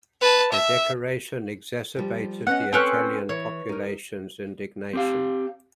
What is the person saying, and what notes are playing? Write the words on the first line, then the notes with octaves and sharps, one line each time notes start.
The decoration exacerbated the Italian population's indignation.
B4 A5
E5
F3 G3
B3 C#4 D#5 F#5
C4 C#4 A4 B4 F#6
E3 C#5
D#4 A#4
C4 G4 F5